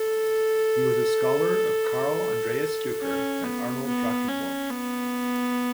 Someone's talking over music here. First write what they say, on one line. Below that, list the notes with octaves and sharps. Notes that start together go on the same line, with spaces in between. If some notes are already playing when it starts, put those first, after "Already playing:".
He was a scholar of Karl Andreas Duker and Arnold Drakenborch.
Already playing: A4
C#4
B3
B3
C#4
B3